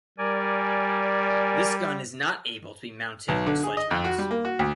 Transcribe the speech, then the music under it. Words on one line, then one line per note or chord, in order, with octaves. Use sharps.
This gun is not able to be mounted on sledge mounts.
G3 A#4 D5 G#5
B1
D3
G#4
D#5
F2
F#4
G3
A#3
F#4
D2